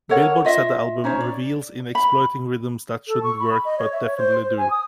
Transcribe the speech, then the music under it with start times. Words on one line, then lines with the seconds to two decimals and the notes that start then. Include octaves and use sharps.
"Billboard" said the album "revels in exploiting rhythms that shouldn't work-but definitely do".
0.09 A4 A#4 C#5 F#5
0.45 F4 D#5 E5
1.04 C#4 D#4 C5 C#5
1.20 D5
1.95 B5
3.08 A4
3.23 C#6
3.39 B5
3.65 D#5
3.78 C#5
3.92 E5
4.06 C#5
4.18 C5
4.44 C5
4.58 G#5
4.71 D#6